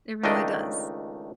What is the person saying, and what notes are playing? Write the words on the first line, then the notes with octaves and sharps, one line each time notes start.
It really does,
C#2 D#3 A3 D4 D#5 G5